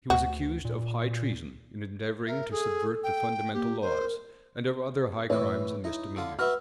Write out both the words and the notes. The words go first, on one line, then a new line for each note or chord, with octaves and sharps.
He was accused of high treason, in endeavoring to subvert the fundamental laws, and of other high crimes and misdemeanors.
D2 F#4
A#2
A#4 E5
G#4 A4
G5
A#3 G4
A#4 C5
A2 E3 E4 C#5
D#4 E4
D3 F4
F#4 B4 E5 F6